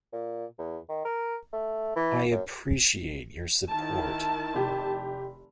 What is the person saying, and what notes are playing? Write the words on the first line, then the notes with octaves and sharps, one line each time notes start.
I appreciate your support.
A#2
E2
D#3
A#4
A3
E3
F#2
D#3 E4 A5
F1 G4